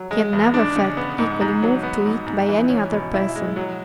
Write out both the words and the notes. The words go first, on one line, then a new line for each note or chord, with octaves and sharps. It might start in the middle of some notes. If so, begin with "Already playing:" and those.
She had never felt equally moved to it by any other person.
Already playing: F#3
G#3
E2
D4
C#3
B3
G#2
G#2
F#3
B3
G#2
G#2
E3
C#4
B2
E4
G#3
F#3